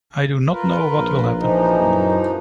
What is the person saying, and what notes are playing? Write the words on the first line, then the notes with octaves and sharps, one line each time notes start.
I do not know what will happen.
F4 A#4 B4
A#1
E3 F3 D#4
F#2